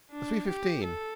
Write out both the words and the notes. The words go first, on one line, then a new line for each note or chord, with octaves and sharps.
'The three-fifteen.'
D4
G4
A4